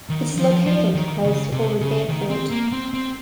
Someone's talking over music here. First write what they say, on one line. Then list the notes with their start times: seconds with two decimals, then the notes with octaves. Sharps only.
It is located close to Ohrid Airport.
0.09 D#3
0.38 F3
0.66 F3
0.95 D#3
1.24 C#3
1.51 C3
1.80 C#3
2.08 D#3
2.30 C4
2.51 A#3
2.72 C4
2.94 C4